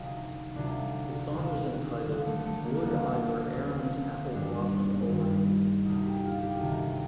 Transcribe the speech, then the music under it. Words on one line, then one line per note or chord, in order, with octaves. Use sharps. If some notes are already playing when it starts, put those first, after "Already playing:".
His song was entitled "Would I Were Erin's Apple Blossom o'er You".
Already playing: D2 C3 F3 D#4
D2 C3 F3 D4
D#2 D3 F3
D#2 D3 F3 C4
A3
A3
A#3
D2 D3 F3
D2 D3 F3 C4
G2 D#3 D4
G2 D#3
D2 C3 D#3 D#4
G4
F4
G4
D2 C3 D#3